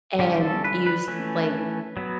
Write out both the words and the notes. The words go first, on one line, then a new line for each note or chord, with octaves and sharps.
and you s like,
D3 G3 C#4 G4
A4
B4
B4
E3 A3 C#4
F#3 B3